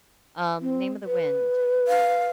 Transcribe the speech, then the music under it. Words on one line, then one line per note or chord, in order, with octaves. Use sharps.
Um, Name of the Wind.
C4
B4
F5